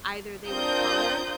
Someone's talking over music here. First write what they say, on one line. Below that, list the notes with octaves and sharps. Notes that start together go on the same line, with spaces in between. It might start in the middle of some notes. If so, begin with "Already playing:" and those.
either they would color
C4 D4 F4 A#4 D#6 G6